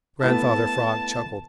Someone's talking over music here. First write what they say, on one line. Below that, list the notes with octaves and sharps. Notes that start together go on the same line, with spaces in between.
Grandfather Frog chuckled.
A3 B3 E4 A5